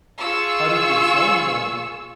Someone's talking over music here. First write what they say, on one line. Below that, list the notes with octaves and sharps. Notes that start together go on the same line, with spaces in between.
How did your son, uh,
F4 G#4 C#6 E6